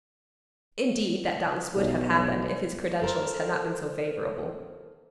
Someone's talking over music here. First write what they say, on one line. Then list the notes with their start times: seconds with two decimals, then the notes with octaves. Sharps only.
"Indeed, that doubtless would have happened if his credentials had not been so favorable."
1.75 B1
3.02 A4 A#4 C5